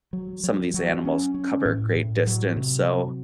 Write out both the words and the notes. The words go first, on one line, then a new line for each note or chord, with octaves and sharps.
some of these animals cover a great distance, so
F#3
F#3
F#3
C#4
C#4
A2
A2
F#3
C3
F#3